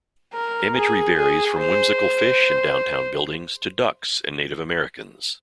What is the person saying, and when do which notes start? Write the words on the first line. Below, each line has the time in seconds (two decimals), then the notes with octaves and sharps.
Imagery varies from whimsical fish and downtown buildings to ducks and Native Americans.
0.34 A#4
0.75 G#4
1.17 G#4
1.58 C5